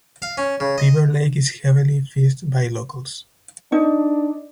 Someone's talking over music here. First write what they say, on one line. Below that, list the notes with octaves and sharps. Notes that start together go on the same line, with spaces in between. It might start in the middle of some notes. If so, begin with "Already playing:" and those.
Beaver Lake is heavily fished by locals.
F5
C#4
C#3
D#5
D4 D#4